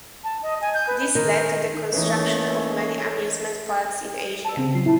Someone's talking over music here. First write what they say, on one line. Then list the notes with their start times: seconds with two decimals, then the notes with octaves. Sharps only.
This led to the construction of many amusement parks in Asia.
0.24 A5
0.43 D#5
0.61 G#5
0.74 G6
0.88 B4
1.15 D#3
1.93 E3 A3 A#3 C#4 D#4
4.45 A5 E6
4.57 C#3 C4
4.74 F#3 F4 C7
4.86 A#2 E4 A5